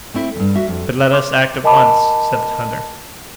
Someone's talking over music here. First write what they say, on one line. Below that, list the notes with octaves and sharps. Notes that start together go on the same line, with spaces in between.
"But let us act at once!" said the hunter.
A3 C4 E4
E2 G2
F#4 E5
F2
C6 D6
A#4 D#5 G#5 A5 B5 D6